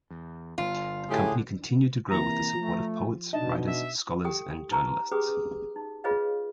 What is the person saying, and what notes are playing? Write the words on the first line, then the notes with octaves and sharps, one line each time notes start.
The company continued to grow with the support of poets, writers, scholars and journalists.
E2
G1 F4
A2 D3 G4 G#4
C3 E3 A#3 A#5
F3 A3
B2 D4 D#4 D#5 A5
E5
G4 A4 G5 D#6
D#4 B4 A#5 C#6
C#4 G4 G#4 B4 D6 D#6
D#4
F4 G#4 B4 C#5 D#5 F5